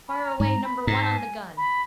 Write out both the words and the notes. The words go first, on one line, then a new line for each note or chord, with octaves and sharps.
Fire away number one on the gun.
B5
A#5
G#2 A#5
B5
G#2 A#5
A5
G#5
B5